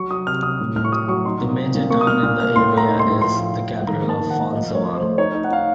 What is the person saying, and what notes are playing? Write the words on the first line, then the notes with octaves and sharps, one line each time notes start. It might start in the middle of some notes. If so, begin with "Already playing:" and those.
The major town in the area is the capital of Phonsavan.
Already playing: F#3 C#6
F#3 D#6
C3 F6
C3 D#6
A2
A2 F6
C#6
F#3 D#6
F#3 C#6
D#4 C6
A#2
C4
A#2
A#3 C#6
D#6
A#2 F6
A#2 F6
A#3 F6
A2 C6
A3 A#5
D#4
C6
A2
F3 C6
F3
F3
F3
D#3 A#5
A#3
A5
D#3
F#5
A#3
F3 D#5
A3
C#5
F3
C5
A3
D#4 C#5
D#4
F#5
D#4 F5